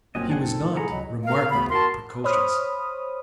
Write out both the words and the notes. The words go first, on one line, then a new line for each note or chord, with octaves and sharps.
He was not remarkably precocious.
G1 F#2 A#2 A#3 C4 C#4 F#4 D#5
D4 G#4 F#5
D#4 A4
C2 A2 E3
G#4 A4 F#5 A#5 B5
C#2 F#3 D#5
A#4 F5
D2 C#3 A3 B3 B5
F#4 A#4 A5 C6
C5 C#5 B5 D#6 F6